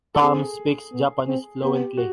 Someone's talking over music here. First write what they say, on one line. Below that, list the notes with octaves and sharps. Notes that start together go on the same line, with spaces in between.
Tom speaks Japanese fluently.
A4
C4 G#4
B3
C4
B3 G4
F#4